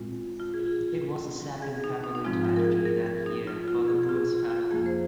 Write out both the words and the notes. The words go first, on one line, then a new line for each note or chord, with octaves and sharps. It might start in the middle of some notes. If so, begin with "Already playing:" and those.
It was the second family tragedy that year for the Moores family.
Already playing: A#2 G#3 C4 F4
F4
G#4
F4
G#4
D#4
D#4
D#4
G#2 F3 G#3 C4 F4
F4
A#4
G#4
A#4
G#4
D#4
F4
F4
G#4
G#4
F4
F4
F2 F3 A#3 G#4
C5